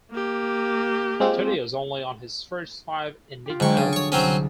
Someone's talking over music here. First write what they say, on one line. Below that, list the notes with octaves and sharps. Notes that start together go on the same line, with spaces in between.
Studios only on his first five Enigma albums.
A#3 G4
G#3 C4 F4
F4 G4
G#2 D3 F#3 G5 C#6
C#3 G#4 D5
C#5 C#6
C2 F#3 C4 C#4